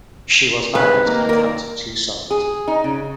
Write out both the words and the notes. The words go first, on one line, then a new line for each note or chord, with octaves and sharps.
She was married and had two sons.
G#2 C3 B4
D#3 A#3
A#4 D5
G#4
D#4
C#3